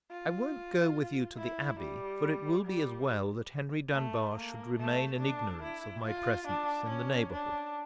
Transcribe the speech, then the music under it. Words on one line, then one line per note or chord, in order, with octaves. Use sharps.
I won't go with you to the Abbey; for it will be as well that Henry Dunbar should remain in ignorance of my presence in the neighbourhood.
F4
E4
G3
G3
A3
A#3
A3
D4
E4
F4
D4
C#4
D4